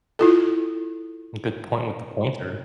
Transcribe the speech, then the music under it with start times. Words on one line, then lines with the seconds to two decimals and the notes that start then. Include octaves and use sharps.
Good point with the pointer.
0.19 E4 F4 A4